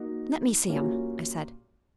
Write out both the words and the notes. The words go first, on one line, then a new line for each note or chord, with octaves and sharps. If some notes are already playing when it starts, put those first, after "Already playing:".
"Let me see him!" I said.
Already playing: A#3 D#4 F#4
A#2 G3 A#3 C#4 F#4